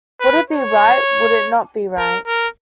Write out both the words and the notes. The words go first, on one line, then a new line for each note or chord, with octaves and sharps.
Would it be right, would it not be right?
B4
C#5
A#4
A#4